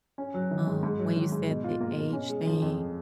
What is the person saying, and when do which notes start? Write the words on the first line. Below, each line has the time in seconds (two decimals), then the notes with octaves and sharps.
um, when you said the age thing
0.18 C#4
0.34 F#3
0.51 D#3
0.67 G#2
0.83 G#2
0.99 F#3
1.16 D#3
1.32 G#2
1.49 B2
1.64 F4
1.80 A#3
1.97 B2
2.13 C#4
2.29 G#3
2.46 F3
2.62 F2